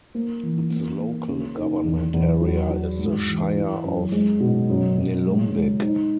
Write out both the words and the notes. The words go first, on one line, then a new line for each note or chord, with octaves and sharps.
Its Local Government Area is the Shire of Nillumbik.
A#3
E3
A#3
A#3
C#3
D#4
E2
E2
F#3
F#3
G#2
E3
E4
F#2
G#3
B2
F#2
F#2
G#3
G#3
D#4